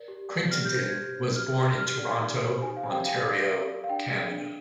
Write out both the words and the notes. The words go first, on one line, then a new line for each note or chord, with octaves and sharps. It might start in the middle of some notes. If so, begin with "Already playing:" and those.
Crittenden was born in Toronto, Ontario, Canada.
Already playing: A#4 D5
G4
A#4 D5
G4 F6
G6
C5
G#6
G4
C5
G4 F6
D5
G4 F6
D5
D#4
G4 C5
D#4 G#5
F5
G4 C5 G#5
G5
G4 F5
A#4 D5
G4
A#4 D5
F5
D4 G5
G#4 D5
D4